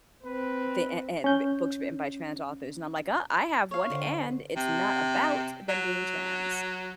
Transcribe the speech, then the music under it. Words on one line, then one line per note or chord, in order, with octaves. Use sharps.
the eh em books written by trans authors, and I'm like, "Uh, I have one, and it's not about them being trans."
C4 B4
C#4 G6
C#5 F5
D3 C5
C3
F#3